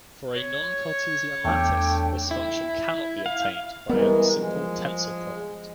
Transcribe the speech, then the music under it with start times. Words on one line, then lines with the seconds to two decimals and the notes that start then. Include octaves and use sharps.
For a non-Cartesian lattice this function can not be obtained by a simple tensor-product.
0.36 C#5
1.45 E2 A3 D4 A4 G5
2.31 E4
3.26 F5
3.89 E3 G3 G#3 B3 A#4
4.35 F3 G#3